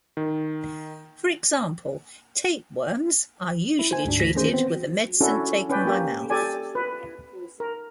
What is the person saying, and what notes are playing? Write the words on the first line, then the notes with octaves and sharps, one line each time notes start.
For example, tapeworms are usually treated with a medicine taken by mouth.
D#3
E4
C5 G#5
D2 G#2 D4
D2 A#6 B6
D#3 E3 A3 C#4 G#4 C5
B3 C4 C5
C#4 D4 E4 F#4 A4
C#4 B4 D5 G5
A#3 G4
G4 A4 D5 G#5
B4
A#4